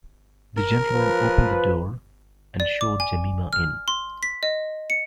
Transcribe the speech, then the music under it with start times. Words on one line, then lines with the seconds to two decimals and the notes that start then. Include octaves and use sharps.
The gentleman opened the door, and showed Jemima in.
0.57 A#4
0.94 F3 B4
2.60 D5
2.81 D6
3.00 G#5
3.53 F6
3.88 C6
4.23 B6
4.43 D#5
4.90 C#7